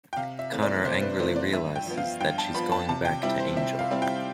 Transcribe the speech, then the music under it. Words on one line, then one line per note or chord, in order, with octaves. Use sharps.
Connor angrily realizes that she's going back to Angel.
G5
C3 F5
E5
E3 A3 C4
D5
C3 C5
B4
E3 A3 C4 C5
D5
G2 E5
G5
F3 B3
F5
G2 G5
A5
F3 B3 B5
A5
C3 A5
G5
G3 C4 E4 E5
C5
C3 E5
F5
G3 C4 E4
G5